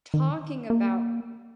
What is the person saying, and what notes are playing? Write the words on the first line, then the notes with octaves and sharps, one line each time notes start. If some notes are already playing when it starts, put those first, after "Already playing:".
talking about
D#3
A#3